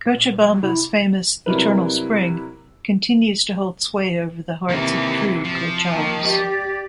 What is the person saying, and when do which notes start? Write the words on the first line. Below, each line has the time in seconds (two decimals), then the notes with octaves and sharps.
Cochabamba's famous "Eternal Spring" continues to hold sway over the hearts of true Cochalos.
0.06 A#2
0.42 F#3
0.63 C3 E4
1.46 C3 F#3 G3 E4 A#4 B4
4.70 C3 D#3 E3 A#3
5.45 F3
5.95 D#3 A#3
6.25 G4 D5